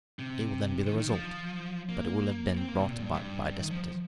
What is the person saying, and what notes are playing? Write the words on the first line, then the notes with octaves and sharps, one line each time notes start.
Anarchy will then be the result, but it will have been brought about by despotism.
C3
D#3
D#3
F3
A#3
C4
A#3
C3
A#2
G2
G2
D#3
F3
F3